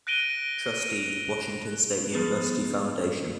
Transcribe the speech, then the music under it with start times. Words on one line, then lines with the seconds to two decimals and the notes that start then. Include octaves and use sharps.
Trustee, Washington State University Foundation.
0.07 F#6 A#6 D7 D#7 G7
2.13 F3 G3 B3 G#4 B4